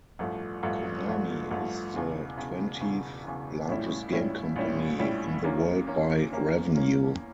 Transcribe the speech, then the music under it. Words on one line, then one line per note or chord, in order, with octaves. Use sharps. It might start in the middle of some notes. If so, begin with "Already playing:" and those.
Konami is the twentieth-largest game company in the world by revenue.
A1 G2 F3 A3
A1 G2 F3 A3
A1 G2 F3 A3
A1 G2 F3 A3
E1 E2 C#3
E1 E2 C#3
E1 E2 C#3
E1 E2 C#3
A#1 A2 G3 C#4 E4
A#1 A2 G3 C#4 E4
A#1 A2 G3 C#4 E4
A#1 A2 G3 C#4 E4
E2 E3 A#3 C#4
E2 E3 A#3 C#4
E2 E3 A#3 C#4
E2 E3 A#3 C#4